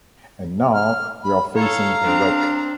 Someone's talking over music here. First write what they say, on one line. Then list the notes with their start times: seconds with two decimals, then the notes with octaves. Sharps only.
And now we are facing a wreck.
0.73 F6
1.23 B5
1.55 A4 C#5 F5 A#5
2.03 C4 D4